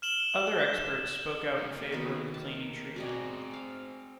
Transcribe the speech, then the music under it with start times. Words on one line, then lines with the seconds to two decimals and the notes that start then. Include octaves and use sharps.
Other experts spoke out in favour of the cleaning treatment.
0.02 F6 E7 F#7 G7
1.58 A#3 D#4
1.92 D#3 B3 F#4
2.34 A5
2.96 C4 F#4 G#4 D5 D#5
3.53 F5